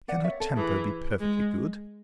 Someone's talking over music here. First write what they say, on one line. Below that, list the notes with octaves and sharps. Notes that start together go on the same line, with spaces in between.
Can her temper be perfectly good?
D5 F#5
C#5 E5
A4
E3 G#4
G#3